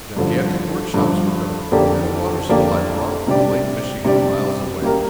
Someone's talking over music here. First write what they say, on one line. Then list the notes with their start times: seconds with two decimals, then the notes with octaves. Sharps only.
Gigantic work-shops were built, and a water supply brought from Lake Michigan, miles away.
0.17 G2 D3 F3
0.94 G2 D3 F3
1.72 F2 D3 A#3 G4 D5
2.49 F2 D3 A#3 G4 D5
3.27 C3 G3 D4 G4 D5
4.05 C3 G3 D4 G4 D5
4.82 G3 A#3 G4 A#4